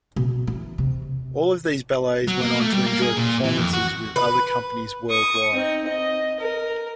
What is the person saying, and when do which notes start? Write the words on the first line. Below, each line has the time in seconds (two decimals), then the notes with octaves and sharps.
All of these ballets went on to enjoy performances with other companies worldwide.
0.16 B2
0.47 E3
0.78 C3
2.28 F#3
2.41 A#3
2.61 A3
2.73 G3
2.86 A#3
3.02 G#4
3.17 A#2
3.44 E3
3.58 F2
3.73 F#4
4.16 B4
5.10 C#6 D#6
5.53 C4 D#4
5.88 D#5
6.40 A#4